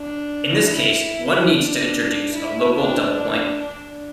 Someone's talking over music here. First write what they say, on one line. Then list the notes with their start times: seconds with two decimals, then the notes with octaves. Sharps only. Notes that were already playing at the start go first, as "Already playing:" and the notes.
In this case, one needs to introduce a local double point.
Already playing: D4
0.69 E4
1.52 D4
2.34 E4
2.75 D4
3.16 D4
3.59 D4